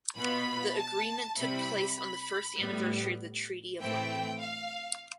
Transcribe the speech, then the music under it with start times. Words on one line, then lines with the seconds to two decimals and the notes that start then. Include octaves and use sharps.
The agreement took place on the first anniversary of the Treaty of London.
0.16 B2 B3 F4 B5
0.77 A5
1.38 C3 G3 C4 E4 B5
1.98 B5
2.59 A2 G3 B3
3.80 A2 E3 A3 C4 E4 G5
4.42 F5